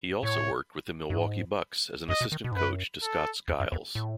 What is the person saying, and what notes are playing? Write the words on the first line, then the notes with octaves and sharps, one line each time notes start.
He also worked with the Milwaukee Bucks as an assistant coach to Scott Skiles.
A2 C#5
F#2
G#2
F#2 D#5
B2
D#3
B2
G#2
F#2 B4
A4
E2
F#2
E2
A2